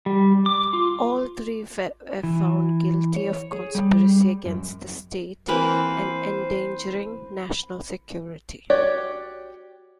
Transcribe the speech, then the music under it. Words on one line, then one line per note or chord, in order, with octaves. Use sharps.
All three were found guilty of conspiracy against the state and endangering national security.
G3
D6
F4
E3
C#5
G#4
G3
F#2
E3 A#3 C4 B4 C5
F#4 G4 C#5 D5